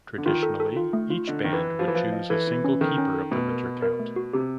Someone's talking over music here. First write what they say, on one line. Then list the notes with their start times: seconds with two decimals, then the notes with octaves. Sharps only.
Traditionally each band would choose a single keeper of the winter count.
0.18 D3
0.26 D#3 F4
0.43 A4
0.60 A4
0.76 F4
0.93 A3
1.10 F4
1.28 D3 D#5
1.44 D#3 D#5
1.53 E3
1.62 B4
1.79 F3 F#4
1.88 E3
1.95 F3 B4
2.13 D#5
2.30 E3 A4
2.47 E4
2.64 C#4
2.81 D#3 A4
2.98 C#4
3.14 A4
3.32 B2 A3
3.49 A#4
3.66 F#4
3.82 A#4
3.99 A3
4.16 F#4
4.33 C3 G4